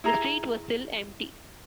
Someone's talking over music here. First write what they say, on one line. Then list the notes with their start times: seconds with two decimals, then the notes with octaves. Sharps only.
The street was still empty.
0.04 E4 G#4 A#5